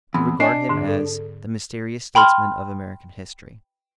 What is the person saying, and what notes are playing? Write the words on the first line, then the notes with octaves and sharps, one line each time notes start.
We regard him as the MYSTERIOUS STATESMAN OF AMERICAN HISTORY.
E2 C4 B5
D4 D#5 G#5 A5 C7
G#2 D3
A4
G5 B5 C6 F6